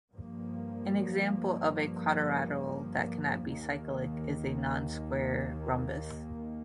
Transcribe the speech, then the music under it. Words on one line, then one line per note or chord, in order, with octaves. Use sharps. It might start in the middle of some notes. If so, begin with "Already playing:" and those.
An example of a quadrilateral that cannot be cyclic is a non-square rhombus.
G2 F3 A#3
D#2 D#3 A#3